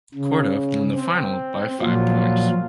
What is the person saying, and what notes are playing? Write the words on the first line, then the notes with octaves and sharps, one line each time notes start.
Corduff won the final by five points.
C#3
C4
A#2 F3 F#3 F4